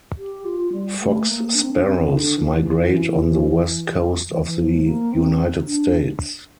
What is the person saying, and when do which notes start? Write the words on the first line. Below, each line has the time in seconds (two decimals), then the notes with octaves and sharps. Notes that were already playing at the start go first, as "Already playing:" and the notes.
Fox sparrows migrate on the west coast of the United States.
0.18 G4
0.45 F4
0.73 G3
1.00 A3
1.27 A#3
1.55 D4
1.62 C4
1.71 D4
1.82 C4
2.10 D3
2.37 E3
4.30 E3
4.46 E3
4.57 F3
4.75 A3
4.84 A#3
5.12 C4
5.67 D4